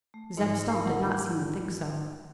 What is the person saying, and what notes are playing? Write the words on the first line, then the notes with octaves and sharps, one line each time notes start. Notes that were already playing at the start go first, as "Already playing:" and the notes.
Zeb Stump did not seem to think so.
A3
G#2
A3 A#4 B5
F#5